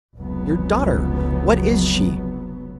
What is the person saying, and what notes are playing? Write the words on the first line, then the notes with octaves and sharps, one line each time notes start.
Your daughter--what is she?
F1 C#2 F#3 B3